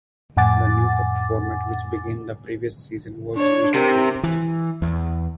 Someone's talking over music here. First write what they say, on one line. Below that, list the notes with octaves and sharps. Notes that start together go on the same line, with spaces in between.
The new cup format which began the previous season was used again.
F2 A2 F#5 G#5 D6 A6
D4 C#5
C3 A#4
E3
E2